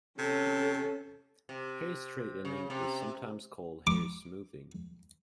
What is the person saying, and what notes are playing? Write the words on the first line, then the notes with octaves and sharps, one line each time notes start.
Hair straightening is sometimes called hair smoothing.
C3 C#4 A4
C3
C#3
C3
D6